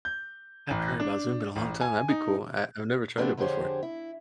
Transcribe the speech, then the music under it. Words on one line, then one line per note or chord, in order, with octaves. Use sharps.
I haven't heard about Zumba in a long time, that'd be cool, I I've never tried it before.
G6
A1
D4
A1
G#5
D#4
F3 A3 B3 C4 D4 A4
F2 D3 G4 G#4 C5 C#5
E4